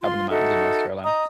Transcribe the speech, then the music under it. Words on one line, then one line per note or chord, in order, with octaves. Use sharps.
up in the mountains in North Carolina.
F4 C6
D#4 F#4 A4 E5
D#5 A#5 D#6